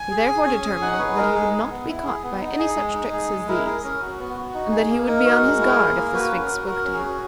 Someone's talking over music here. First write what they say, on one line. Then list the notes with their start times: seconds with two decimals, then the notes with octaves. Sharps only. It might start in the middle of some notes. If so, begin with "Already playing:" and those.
He therefore determined that he would not be caught by any such tricks as these, and that he would be on his guard if the Sphinx spoke to him.
Already playing: G#5
0.11 G#4
0.28 G#4
0.46 C#4
0.64 G#4
0.82 D#4 F#5
0.93 C#5
0.99 G#4 B4
1.17 G#3 A#4
1.35 D#4 G#4
1.53 G#4
1.70 B3
1.88 E4
2.05 G#4
2.23 B3
2.41 D#4
2.59 G#4
2.77 G#3
2.94 D#4
3.13 G#4
3.30 G#3
3.48 E4 A#4
3.66 G#4 A#4
3.83 C#4 A#4
4.01 F#4
4.19 B3
4.37 F#4
4.54 D#4
4.72 G#4
4.90 A#3
5.07 D#4 A#4
5.26 F#4
5.43 G#3
5.61 E4
5.79 G#4
5.96 A#3
6.14 F#4 B4
6.31 C#4
6.41 A#4
6.50 F#4
6.67 F#4 A#4
6.85 C#4
6.94 G#4
7.03 F#4